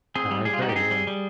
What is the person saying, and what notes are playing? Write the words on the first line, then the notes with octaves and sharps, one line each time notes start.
Yeah, I agree, yeah.
C4 G#4
G3
G3 G#4
F4
D#4 F#4
G4
C4 G#4
G3
G3